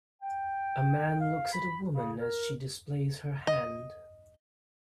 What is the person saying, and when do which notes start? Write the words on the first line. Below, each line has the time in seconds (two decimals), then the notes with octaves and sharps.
A man looks at a woman as she displays her hand.
0.22 G5
1.20 F5
1.52 B5
1.93 C#3
2.19 A#4
3.47 D#5